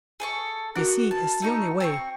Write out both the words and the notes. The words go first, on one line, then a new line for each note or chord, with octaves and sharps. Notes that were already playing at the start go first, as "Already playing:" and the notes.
You see it's the only way.
G#4 A4 C#6
D4 F#4 A#4 F#5
A5
A3 D#4 C#6
C4 A5 C#6